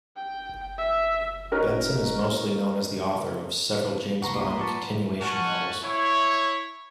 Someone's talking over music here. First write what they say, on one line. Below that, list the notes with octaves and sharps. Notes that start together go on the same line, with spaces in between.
Benson is mostly known as the author of several James Bond continuation novels.
G5
E5
C#4 D#4 F#4 A#4 B4 D#5
C2 A#2 B4 F#5 A#5 C6 C#6
F#3 F4 A5 C#6 D6
C#4 F#5 G#5 A5 C#6
E4 C#5